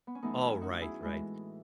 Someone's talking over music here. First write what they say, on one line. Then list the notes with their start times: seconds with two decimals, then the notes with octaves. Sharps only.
Alright, right.
0.07 B3
0.15 C#4
0.22 F#2 E3 A3 B3 D#4
0.35 F#4
0.42 C#4 E4
0.61 D#4 F#4
0.81 E4 G#4
1.01 A2 E3 G#3